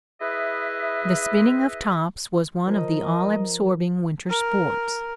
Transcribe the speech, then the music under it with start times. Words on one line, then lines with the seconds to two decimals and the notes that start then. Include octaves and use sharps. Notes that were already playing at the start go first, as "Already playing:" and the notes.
The spinning of tops was one of the all-absorbing winter sports.
0.21 E4 G#4 B4 D#5 E5
2.68 F3 A#4 D#5
4.29 A#4